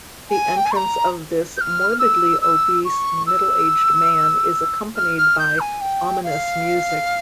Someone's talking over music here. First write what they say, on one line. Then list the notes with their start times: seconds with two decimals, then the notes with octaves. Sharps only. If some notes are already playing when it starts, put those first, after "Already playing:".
The entrance of this morbidly obese middle-aged man is accompanied by ominous music.
0.30 G#5
0.56 G5
0.65 G#5
0.71 C#6
0.76 A#5
1.57 G6
1.61 F6
1.99 E6
2.41 E6
2.84 C#6
3.26 E6
4.96 F6
5.17 F6
5.39 G6
5.59 G#5
5.81 G5
6.23 F5